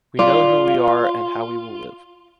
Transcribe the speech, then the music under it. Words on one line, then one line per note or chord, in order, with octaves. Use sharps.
We know who we are and how we will live.
F4 D5